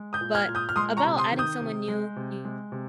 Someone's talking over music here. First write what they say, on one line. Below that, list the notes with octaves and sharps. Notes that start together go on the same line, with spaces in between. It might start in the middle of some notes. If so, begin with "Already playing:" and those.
but about adding someone new, you
Already playing: G#3
D#6 G6
A#2
F6 G#6
A#2
D#6 G6
F6
G#3 C6 D#6
A#5 C#6
C3
C6 D#6
D#3
D#6 G6
C3
G#3
C3
G#3
C3